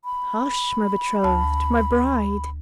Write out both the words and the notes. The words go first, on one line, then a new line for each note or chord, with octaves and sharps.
'Hush, my betrothed! my bride!
B5
D2 A5